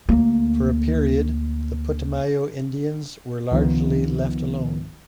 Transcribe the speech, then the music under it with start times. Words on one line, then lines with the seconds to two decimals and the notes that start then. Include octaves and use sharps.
For a period, the Putumayo Indians were largely left alone.
0.09 D2 A#3
3.51 C#2 D#3 F3 B3